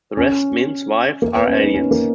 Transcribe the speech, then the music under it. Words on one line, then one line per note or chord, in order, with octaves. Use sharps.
The rest men's wives are aliens.
C#4
A#3
B3
C#4
D#4
C#4
A#3